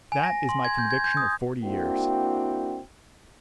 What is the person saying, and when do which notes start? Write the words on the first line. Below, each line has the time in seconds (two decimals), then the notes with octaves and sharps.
That is my conviction of forty years.
0.12 G#5
0.23 A#6
0.49 C6
0.65 G#6
0.78 G6
0.91 G#6
1.04 G6
1.17 D#6
1.63 A#3 C4 D4 E4 F#4 G5